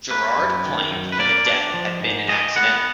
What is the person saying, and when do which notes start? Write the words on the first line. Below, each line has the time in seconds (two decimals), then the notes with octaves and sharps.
Girard claimed that the death had been an accident.
0.10 A#3 B4
0.38 F#2
0.65 D#3
0.91 F#2
1.12 B4
1.20 A#3 D5
1.46 D4
1.74 F3
2.01 G#2
2.28 G#3 D#5
2.56 B3 F#5